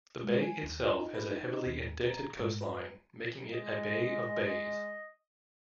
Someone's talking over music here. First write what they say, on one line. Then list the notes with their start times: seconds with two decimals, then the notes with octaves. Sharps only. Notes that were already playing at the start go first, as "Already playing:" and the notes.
The bay itself has a heavily indented coastline, making it a bay of bays.
0.23 G#3
0.41 G#5
0.63 D#2
0.80 F4
0.99 D#4
1.15 B4
1.31 D#4
1.53 D#4
1.66 D#2
2.07 A#5
2.40 G#2
2.61 B4
3.53 G#3 D#5